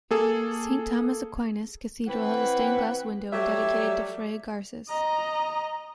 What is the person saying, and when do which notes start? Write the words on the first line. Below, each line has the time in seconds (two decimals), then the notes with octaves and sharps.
Saint Thomas Aquinas Cathedral has a stained glass window dedicated to Fray Garces.
0.11 A#3 G#4 A4
2.07 E3 C4 B4 F#5
3.33 F#3 G3 A3 D5 E5
4.89 D#5 A#5